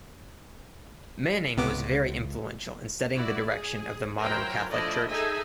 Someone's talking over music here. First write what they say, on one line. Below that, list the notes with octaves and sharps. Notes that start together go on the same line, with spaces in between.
Manning was very influential in setting the direction of the modern Catholic Church.
C#2 C3 B3 D6
E4 F#4 D5
G#4
F#3 E4 A#4 C5 G5
F3 A3 D4 E4 D5 D#5
D#4 G#4 A4 D#5 E5 G#5